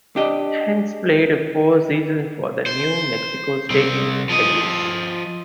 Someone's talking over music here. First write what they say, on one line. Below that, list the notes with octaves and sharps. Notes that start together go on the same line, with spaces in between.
Hanks played four seasons for the New Mexico State Aggies.
D4 G4 D#5
C5
C2 C4
F3 D#5